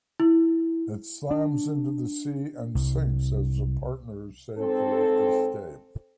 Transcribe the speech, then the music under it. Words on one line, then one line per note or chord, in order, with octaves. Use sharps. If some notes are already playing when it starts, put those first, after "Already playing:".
It slams into the sea and sinks as the partners safely escape.
E4
D4
C2
G#2 C4 A4